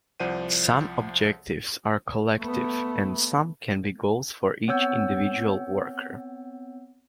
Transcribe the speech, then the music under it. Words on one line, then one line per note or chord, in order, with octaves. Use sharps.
Some objectives are collective, and some can be goals for each individual worker.
C2 F3 C5 D5 F#5 D#7
A3 B3
B3 C4 C#5 F#5 E6 G6